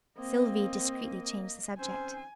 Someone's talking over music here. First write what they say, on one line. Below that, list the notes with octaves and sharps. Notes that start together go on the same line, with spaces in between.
Sylvie discreetly changed the subject.
A#3 C4 D#5
C4 C#4 C5 G#5